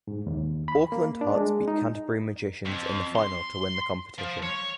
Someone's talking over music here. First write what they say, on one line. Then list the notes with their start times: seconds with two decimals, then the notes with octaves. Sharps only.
Auckland Hearts beat Canterbury Magicians in the final to win the competition.
0.07 G#2
0.27 D#2
0.68 B5
0.92 A#3
1.21 D4
1.36 G#3
1.68 D#4
2.65 F2
3.16 C6
4.18 F3
4.43 C#5